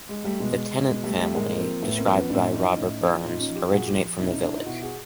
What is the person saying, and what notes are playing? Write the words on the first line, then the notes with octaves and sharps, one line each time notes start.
The Tennant family, described by Robert Burns, originate from the village.
G#3
G3 A3
B2 G#3
B2 G#3
G3 A3
G3 A3
A2 G#3 A#3
F3 A#3 C4
A2 A3 B3
A#3 C4
F3
B3 C#4
A2 C4 D4
D4
F3 C#4 D#4
A2
F3
A#2 D#4 F4
C#4 D#4
F3
F4 G4
A#2 F#4 G#4
F4 G4
F3
B2 D4 E4
C#4 D#4
D4 E4
D#4 F4
B2 E4 F#4
F#4 G#4